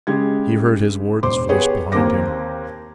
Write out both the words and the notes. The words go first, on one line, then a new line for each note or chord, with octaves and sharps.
He heard his warder's voice behind him.
C#3 G#3 G4 G#6
E1 C5 C6 D6
B3 G4 G#4 C#5
D#2 A#3 C4 C5 D6 A#6